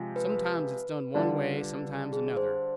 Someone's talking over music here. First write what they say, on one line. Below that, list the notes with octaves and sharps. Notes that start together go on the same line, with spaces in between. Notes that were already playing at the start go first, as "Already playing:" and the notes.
Sometimes it's done one way, sometimes another.
Already playing: C3 F3 G#3
B4
D3 G3 D4 F4
G#4
C5